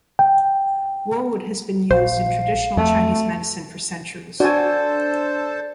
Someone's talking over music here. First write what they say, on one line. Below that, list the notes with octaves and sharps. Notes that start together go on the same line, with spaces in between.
Woad has been used in traditional Chinese medicine for centuries.
G5
A#1 C5 F5
F2 A3
D4 F#4 A4 C5 D5 G#5 A5